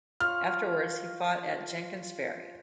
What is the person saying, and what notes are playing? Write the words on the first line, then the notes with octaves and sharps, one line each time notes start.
Afterwards he fought at Jenkin's Ferry.
F4 C#5 F6